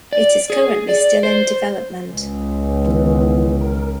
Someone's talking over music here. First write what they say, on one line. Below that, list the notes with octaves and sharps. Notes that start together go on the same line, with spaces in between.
It is currently still in development.
D5
G#4
D5
C5
C#2
D#3 E3 B3
A#4